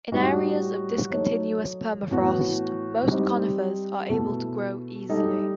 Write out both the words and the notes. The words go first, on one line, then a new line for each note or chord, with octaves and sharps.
In areas of discontinuous permafrost, most conifers are able to grow easily.
A2 G3 D#4 F#4
F#3 A3 D#4
A2 E3 B3 F#4
G3 C4 D#4
B2 A3 E4
G3 D#4 A4